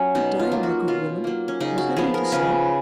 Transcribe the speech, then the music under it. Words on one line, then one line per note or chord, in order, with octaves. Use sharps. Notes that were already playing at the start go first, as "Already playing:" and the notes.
"Good-day, my good woman, what have you to sell?"
Already playing: F#3 C#4
B2 D#4
F4
F#3 A#3
F#4
B2 F4
F#3 A#3
C#4
C#3 D#4
F#4
F3 B3 G#4
A#4
C#3 B4